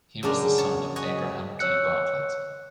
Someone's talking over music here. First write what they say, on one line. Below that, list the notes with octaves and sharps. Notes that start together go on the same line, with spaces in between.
He was the son of Abraham Dee Bartlett.
F#2 C#3 D4 A#4 D5
C#5 A5
C#5 D#5 F#5 G#5
C#5 E6 F#6 C#7